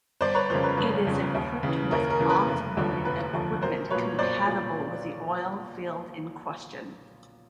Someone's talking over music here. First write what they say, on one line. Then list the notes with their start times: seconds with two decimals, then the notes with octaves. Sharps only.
It is equipped with off-loading equipment compatible with the oil field in question.
0.21 G1 C5 D5
0.35 B4 C#5
0.50 F2 C#3 A#4 C5
0.64 B4
0.77 G1 B4
1.07 F2 C#3
1.35 D#2
1.63 C#3 E3
1.91 D#2 A#4
2.10 A#4
2.20 C#3 E3
2.30 B4
2.48 F1
2.77 D#2 D3 F3
3.05 F1 B4
3.33 D#2 D3 F3
3.62 B1 A#4 C5
3.91 A#2 F#3 B4 C#5
4.19 B1 C5 D5
4.47 A#2 F#3